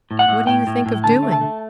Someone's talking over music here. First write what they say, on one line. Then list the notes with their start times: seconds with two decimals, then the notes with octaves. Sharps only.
'What do you think of doing?'
0.11 A2
0.19 F#5
0.28 A2
0.47 A2 G5
0.67 A2
0.86 A2
1.04 D3 A5
1.23 A3
1.32 A5
1.41 A3